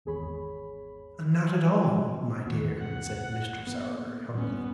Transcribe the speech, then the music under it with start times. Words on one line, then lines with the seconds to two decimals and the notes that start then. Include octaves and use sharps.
'Not at all, my dear,' said Mr. Sowerberry humbly.
0.05 G#1 E2 G#4 C#5 B5
2.45 E2 G#2 D#3 F#4
2.78 E2 G#2 C3 F#5
3.15 G1
3.67 A#3 B3
4.34 D#1 G#1 G2 B3 C#4